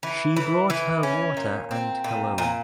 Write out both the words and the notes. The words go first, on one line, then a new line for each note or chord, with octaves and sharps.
She brought her water and cologne.
E3
E3
E3
C#4
A#2
C4
A#2
A#2